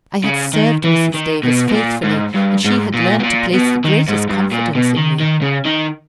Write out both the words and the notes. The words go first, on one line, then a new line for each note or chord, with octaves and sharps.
I had served Mrs. Davis faithfully, and she had learned to place the greatest confidence in me.
C#3
D#3
E3
D#3
B2
B2
A#2
G#2
G2
G#2
A#2
B2
A#2
B2
D#3
G#2
G2
A#2
B2
D#3
D#3
C#3
D#3